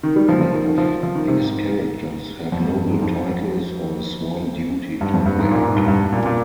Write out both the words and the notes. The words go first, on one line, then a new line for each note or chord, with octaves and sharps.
Many of these characters have noble titles, or a sworn duty to their kingdom.
D#3
G3
F3
F3
D#3
F3
F3
D#3
C3
G#2
F2
G2
G2
G#2
F2
G2
F2
G2
G#2
A#2
G#2
G2
G2
A#2
A#2